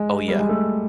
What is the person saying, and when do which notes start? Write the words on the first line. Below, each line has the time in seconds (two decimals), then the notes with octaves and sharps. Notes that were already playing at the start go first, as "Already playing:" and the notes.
Oh, yeah.
Already playing: G#3
0.28 G3
0.39 G#3
0.49 A3